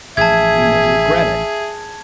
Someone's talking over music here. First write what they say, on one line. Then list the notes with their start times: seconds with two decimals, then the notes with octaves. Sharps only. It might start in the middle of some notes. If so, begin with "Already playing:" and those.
We may regret it.
0.17 A1 F3 G#4 E5 A5 G#6